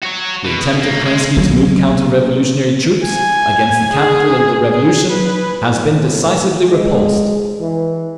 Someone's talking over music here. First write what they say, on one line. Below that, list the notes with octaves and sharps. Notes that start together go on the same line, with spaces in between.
The attempt of Kerensky to move counter-revolutionary troops against the capital of the Revolution has been decisively repulsed.
F#4 C#5
B2
C#2 A#3
G#3
F#3 A#3
G#5
G#4
G#4
B4
A2
G#3
E3